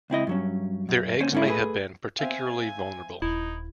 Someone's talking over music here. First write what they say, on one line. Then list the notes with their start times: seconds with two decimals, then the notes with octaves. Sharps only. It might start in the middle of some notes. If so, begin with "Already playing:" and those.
Their eggs may have been particularly vulnerable.
0.10 C#2 C4 E4 D#5
0.27 G2 F#3 C#4
0.89 F#2
1.20 A#3 C#4 C5 C#5 G#5
1.32 G#2 C#4 E4
1.46 A3 G#4 B4
2.19 C4 E5 F5 G#5
3.22 D#1 D#4 E4